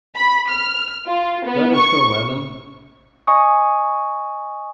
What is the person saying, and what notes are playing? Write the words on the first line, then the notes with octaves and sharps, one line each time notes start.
Let us go, Ellen.
B5
F6
F4
B3
C#6
D#5 G#5 C#6 D#6